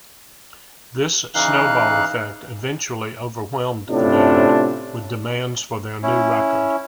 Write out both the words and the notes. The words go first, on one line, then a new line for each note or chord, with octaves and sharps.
This snowball effect eventually overwhelmed the band with demands for their new record.
C#3 E3 D#4 F5 F#6
A2 C3 C#4 D4 F4
C#4 E4